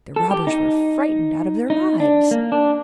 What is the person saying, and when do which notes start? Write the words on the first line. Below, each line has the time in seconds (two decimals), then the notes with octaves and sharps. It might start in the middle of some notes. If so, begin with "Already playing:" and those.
The robbers were frightened out of their lives.
0.16 A4
0.31 G4
0.47 D#4
1.70 D#4
2.00 D4
2.31 A#3
2.52 D4